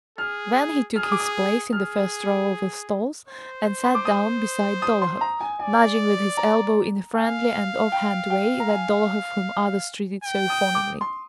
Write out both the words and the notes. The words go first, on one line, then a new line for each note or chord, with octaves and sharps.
Then he took his place in the first row of the stalls and sat down beside Dolokhov, nudging with his elbow in a friendly and offhand way that Dolokhov whom others treated so fawningly.
G#4 F6
G#4 F6
D#6
D6
D#6
G#4 F6
C5
C6
D6
D#6
D#6
C6
A#5
G#5
D5 G#5
A#5
F5 G#5
G5
G5
A#5
G#5
G5
D#6
D6
C6